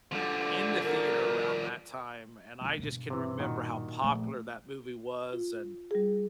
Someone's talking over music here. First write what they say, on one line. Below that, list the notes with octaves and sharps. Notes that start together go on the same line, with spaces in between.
in the theater around that time, and I just can remember how popular that movie was, and
D3 F3 G3
A#4
B1 F4
G2 B2
C3 E3
A#2 D#3 F#4
A#1 A3
F4
G3 G#4